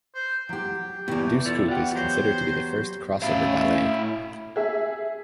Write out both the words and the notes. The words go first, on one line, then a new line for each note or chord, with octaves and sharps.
"Deuce Coupe" is considered to be the first crossover ballet.
C5
F#3 G4 G5
E2 B2 E3 G4
F4 A4 D5
F4 F#5 G5
F#3 C5
A2 C#4 E4 F5
G#4 E5